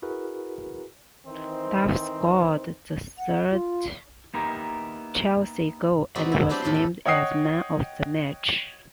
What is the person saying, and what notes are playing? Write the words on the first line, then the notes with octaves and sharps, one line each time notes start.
Duff scored the third Chelsea goal and was named as Man of the match.
E4 F#4 G#4 A#4 B4
D#3 E3 C4 D#4 C5
F#5
F4
A#3 B3 D#4 E4 G4 A#4
G#3 C4 D#4 F#4 B4 D5
E4
F#3 B3 D4 G4 C5 D5
E2 A2 A4 B4 D5 C6
B4
C#5 D#5 F#5 G5 D#6 C7